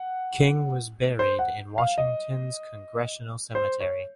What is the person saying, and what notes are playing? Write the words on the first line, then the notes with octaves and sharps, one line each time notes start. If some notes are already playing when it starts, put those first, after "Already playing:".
King was buried in Washington's Congressional Cemetery.
Already playing: F#5
C5
F#5
F5
D#5
C5
C#5